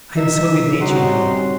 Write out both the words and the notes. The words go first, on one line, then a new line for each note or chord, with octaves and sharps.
I am so good-natured now.
D#4 E5
G3 C4 C#4 D#4 F#4 C6